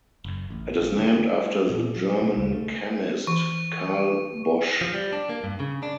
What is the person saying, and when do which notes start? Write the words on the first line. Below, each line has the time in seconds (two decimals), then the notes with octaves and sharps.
It is named after the German chemist Carl Bosch.
0.25 F#1
0.50 A1
0.77 A1
0.98 D3
1.18 G#3
1.70 A#2
1.96 F#3
2.22 B2
2.37 C#2
2.52 A3
3.27 E3 C#6
4.81 F3
4.94 G3
5.13 D4
5.29 A#3
5.44 G2
5.60 C#3
5.83 D4